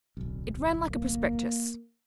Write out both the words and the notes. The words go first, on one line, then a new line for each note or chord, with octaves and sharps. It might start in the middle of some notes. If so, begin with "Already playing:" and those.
It ran like a prospectus.
D1 B1
A#3